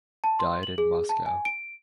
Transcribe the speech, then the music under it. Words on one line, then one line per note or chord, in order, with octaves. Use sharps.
Died in Moscow.
A5
C6
F#7
G#4
A5
G#5
D7